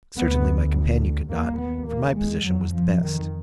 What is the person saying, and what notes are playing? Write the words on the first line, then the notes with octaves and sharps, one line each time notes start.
Certainly, my companion could not, for my position was the best.
D2 B3
D#2 A#3
B3
A#3
G#3
F2 F#3
F3
D#3